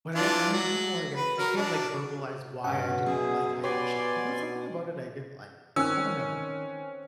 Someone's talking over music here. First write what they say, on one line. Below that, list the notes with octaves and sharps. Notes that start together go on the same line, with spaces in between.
But I I don't know why I I can't, like, verbalize why I didn't like Iron Chef, but there's something about it I didn't like, I don't know.
E3 D4 F4
F#3
B4
F#3 A#4 F6
F#3 D4
G2 B2 C#4 F#5
F#2 G#4
G4 B4 C#5 D5 G#5 C6
D#3 C4 C#4 C#5 E6 F#6